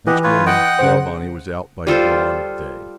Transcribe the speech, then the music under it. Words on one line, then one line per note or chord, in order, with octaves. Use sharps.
Next morning Clawbonny was out by dawn of day.
E3 G4 D#5 F#5
F4 B4 C#5
D#5 F#5 G5
C#3 C5
G3 F4 A4 C5